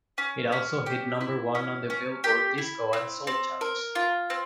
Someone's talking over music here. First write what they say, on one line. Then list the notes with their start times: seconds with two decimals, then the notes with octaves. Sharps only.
It also hit number one on the "Billboard" Disco and Soul charts.
0.18 C#4
0.52 C#4
0.86 G4
1.21 E4
1.55 C#4
1.90 C#4
2.24 G4
2.58 E4
2.93 C4
3.27 C4
3.61 A#4
3.95 F4
4.30 C4